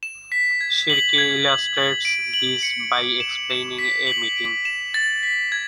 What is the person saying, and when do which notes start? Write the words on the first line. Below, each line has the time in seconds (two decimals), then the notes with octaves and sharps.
Shirky illustrates this by explaining a meeting.
0.03 E7
0.32 B6
0.61 G#6
0.90 F#7
1.18 G#6
1.48 F#7
1.76 F#7
2.05 D7
2.34 F#7
2.63 C#7
2.92 D6
3.20 E7
3.50 E7
3.79 B6
4.07 F#7
4.36 D7
4.65 E7
4.94 A6
5.23 B6
5.52 G#6